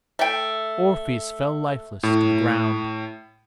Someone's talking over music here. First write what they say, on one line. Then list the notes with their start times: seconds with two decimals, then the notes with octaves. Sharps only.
Orpheus fell lifeless to the ground.
0.19 A3 G5
2.03 A2